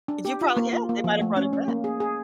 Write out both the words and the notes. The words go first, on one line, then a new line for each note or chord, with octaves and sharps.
You probably have. They might have brought it back.
D4
G4
F4
A#3
F4
A#3
F3
A3
C#4
C#4
A#3
G#4
G#4